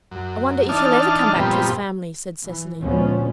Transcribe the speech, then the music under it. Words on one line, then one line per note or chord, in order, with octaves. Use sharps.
"I wonder if he'll ever come back to his family," said Cecily.
F#2
E3 D4 D#4 A5 F6
G2 A#2 F3 G3 B3 C4
E3
D2 A#2 F3 G#3 B3 C#4